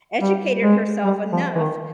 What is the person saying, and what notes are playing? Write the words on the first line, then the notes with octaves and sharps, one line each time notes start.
educated herself enough
G3
G#3
G3
F3
E3
D#3